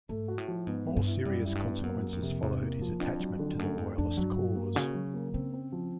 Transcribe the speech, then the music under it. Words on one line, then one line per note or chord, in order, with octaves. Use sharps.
More serious consequences followed his attachment to the Royalist cause.
G#2 A3
F#4
A2
F3
G#2 B3
B3
G2
E4
F#2 G3
E4
G2
B3
F#2 A#3
A#3
F2
C3
E2 C3
A#3
F3
F2 D4
F#3
D3
F#2 A3
F2 A3
F2 D4
G2 F#3
F#4
A#3
C#3 F#4
F#3
A#3
C#3 C4
C4
F3